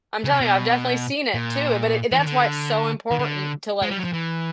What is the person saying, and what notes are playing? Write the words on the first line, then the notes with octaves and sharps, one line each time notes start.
I'm telling you, I've definitely seen it too, but i that's why it's so important to, like
C#3
C3
B2
A#2
E3
D#3
D3
D#3
D3
G#3
G3
F#3
F3
E3